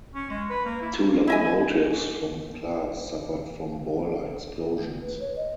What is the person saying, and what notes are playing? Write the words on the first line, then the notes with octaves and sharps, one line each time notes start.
Two locomotives from the class suffered from boiler explosions.
C#4
G#3
B4
A#3
E4
E4 D#5 G#5
A3
B4
C#5
D#5